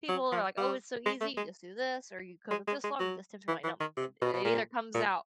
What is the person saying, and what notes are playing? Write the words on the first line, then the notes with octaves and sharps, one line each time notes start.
people are like, "Oh, it's so easy. You just do this or you cook it this long at this temperature." I'm like, "No." It it either comes out
F#3
F3
G3
G#3
A3
G#3
G#3
G#3
G#3
F#3
E3
E3
D#3
C3
B2
B2
A#2
A#2